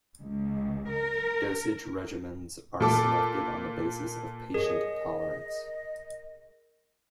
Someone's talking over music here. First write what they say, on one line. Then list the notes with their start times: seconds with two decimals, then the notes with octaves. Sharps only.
Dosage regimens are selected on the basis of patient tolerance.
0.21 C#2
0.89 A#4
2.80 A#2 A4 D6
4.54 G#4 A#4 C#5 D#5